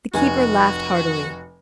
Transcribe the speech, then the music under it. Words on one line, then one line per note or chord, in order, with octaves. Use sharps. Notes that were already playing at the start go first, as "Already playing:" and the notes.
The keeper laughed heartily.
F1 F#4 G#5